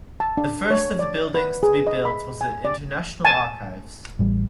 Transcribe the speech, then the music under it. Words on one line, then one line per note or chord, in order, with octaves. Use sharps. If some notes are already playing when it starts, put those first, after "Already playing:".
The first of the buildings to be built was the International Archives.
A5
D4
C#5
D5
B4
G#4
D#5
B5
G#5
D5
G#5 A5
A1 G3